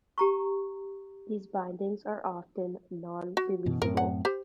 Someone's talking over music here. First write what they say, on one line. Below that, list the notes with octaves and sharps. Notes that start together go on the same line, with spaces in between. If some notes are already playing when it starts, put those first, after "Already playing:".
These bindings are often non-releasable.
G4 A#5 C#6
F#4
F#2 B2 E3
F#2 A2 C4 A#4
F#5
G4 C5